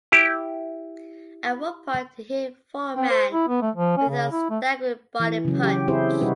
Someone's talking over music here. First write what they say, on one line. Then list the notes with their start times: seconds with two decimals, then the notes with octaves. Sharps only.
At one point he hit Foreman with a staggering body punch.
0.12 E4 G4
2.95 C4
3.10 C5
3.32 E4
3.48 B3
3.62 A3
3.76 F3
3.97 C#4
4.09 C#3
4.32 E4
4.50 A3
5.20 E3
5.45 C#3 F#3
5.63 F#3 G4
5.88 C4 E4 G4 G#4 C5
6.21 C3 G3 D#4 F#4 B4